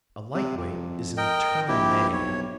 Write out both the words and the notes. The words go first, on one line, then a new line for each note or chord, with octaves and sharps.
"A light-weight is an eternal nay."
C3
F2
A#4 D#5 G5
A#1 E4 G4
B1 C#5